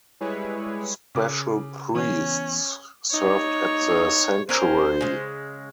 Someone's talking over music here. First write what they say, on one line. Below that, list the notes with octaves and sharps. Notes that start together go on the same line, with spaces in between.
Special priests served at the sanctuary.
G3 G#3 E4 G#4 B4 C#5
C#3 D6
E3 B3 C#4
D#4 C#5
C#4 A#4 C5 G#5
C#3 G#3